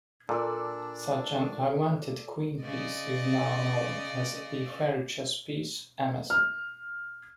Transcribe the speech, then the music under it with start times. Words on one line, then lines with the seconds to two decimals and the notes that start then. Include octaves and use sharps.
Such an augmented queen piece is now known as the fairy chess piece "amazon".
0.29 A#2 D4 A4 D5 E6
2.62 C#3 D5 D#5
6.30 F6